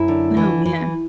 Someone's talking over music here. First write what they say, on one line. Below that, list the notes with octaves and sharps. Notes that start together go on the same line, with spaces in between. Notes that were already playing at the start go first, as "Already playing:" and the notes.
Oh, man.
Already playing: F#2 E4
D3
E3
E3